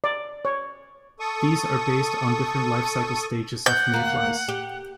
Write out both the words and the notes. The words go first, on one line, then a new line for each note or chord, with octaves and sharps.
These are based on different life-cycle stages of mayflies.
D5
C#5
A4 C#6 D#6
F#5 G6
D#2 A#3
G4